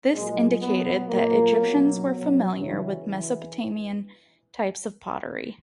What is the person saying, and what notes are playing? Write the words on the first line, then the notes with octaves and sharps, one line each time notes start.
This indicated that Egyptians were familiar with Mesopotamian types of pottery.
A#2 F#3 G#3
B2 F#3 B3
A#2 F#3 A#3
B2 F#3
B2 F#3
C#3 E3 F#3
E3